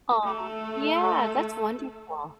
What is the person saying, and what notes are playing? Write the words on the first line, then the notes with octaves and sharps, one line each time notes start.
Aw, yeah, that's wonderful.
A3 A4